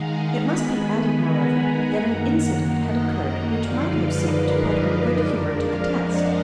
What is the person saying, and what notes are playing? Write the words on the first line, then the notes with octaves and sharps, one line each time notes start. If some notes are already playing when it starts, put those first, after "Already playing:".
It must be added moreover that an incident had occurred which might have seemed to put her good-humour to the test.
Already playing: D#3 G#3 D#4 F5 F#5 G#5 A#5
D#3 G#3 B3 G#5 B5
F#5 A#5
F#2 D#3 A#3
D#5 F#5
F#2 D3 F3 G#3 D#4 D5 F5
B4 D#5
A#4 D5
B4 D#5
F2 F3 G#3 D4 A#4 D5
D5 F5
D#5 F#5